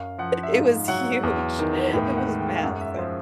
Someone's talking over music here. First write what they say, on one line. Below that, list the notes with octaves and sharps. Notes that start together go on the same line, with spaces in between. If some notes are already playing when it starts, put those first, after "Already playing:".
It was huge. It was massive.
Already playing: F#2 F5
F3 F#5
E5
G#2 F5
F#3 F#5
E2
D#3
A2 G5
G5
F#5
G#3
G5
F5
F#2 F#5
E5
F3 C5